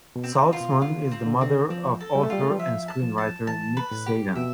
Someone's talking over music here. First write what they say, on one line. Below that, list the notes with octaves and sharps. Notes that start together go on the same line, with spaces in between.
Salzman is the mother of author and screenwriter Nick Sagan.
B2
C4
F4
B2
D3 F4
C4
D3
C3
D3 C4
F3 C4
A4
G3
A3
G3 F4
A3
G3
F3 E5
A5
F3
A5
E3 A5
B4
A2
G4
B2 E5